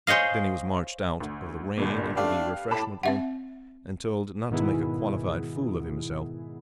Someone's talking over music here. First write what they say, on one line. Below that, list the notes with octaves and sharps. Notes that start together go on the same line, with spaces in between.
Then he was marched out of the rain into the refreshment-room and told not to make a qualified fool of himself.
G#4 C5 C#5 D#5 F5
D2
G1 G2 A#2
A3 D4 G4 B4 F5
A2 A5 B5 D6
C4 E5 F#5
G#2 B2 D#3 B3 E4 G#4